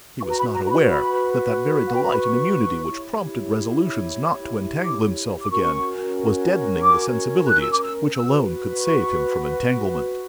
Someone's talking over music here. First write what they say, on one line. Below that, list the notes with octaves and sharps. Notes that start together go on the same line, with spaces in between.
He was not aware that that very delight in immunity which prompted resolutions not to entangle himself again, was deadening the sensibilities which alone could save him from entanglement.
F#4 B4 C#6
A#5
B5
A#5
A#5
B5
B5
F#5
G5
A#5
B5
C#6
E4 G4 C#5
D6
D6
C#4 F#4 A#4 C#6
D6
F#6
E6
D6
E6
F#4 B4 E6
C#6